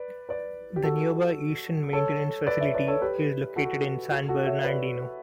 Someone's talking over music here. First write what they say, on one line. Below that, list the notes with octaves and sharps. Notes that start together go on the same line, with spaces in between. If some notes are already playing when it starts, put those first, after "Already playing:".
The nearby Eastern Maintenance Facility is located in San Bernardino.
Already playing: B4 D5
B4 D5
G4
F#4 A4
A4 C#5
B4 D5
C#5 E5
B4 D5
A4 C#5
G4 B4
F#4 A4
F#4 A4
F#4 A4
C#5 E5
B4 D5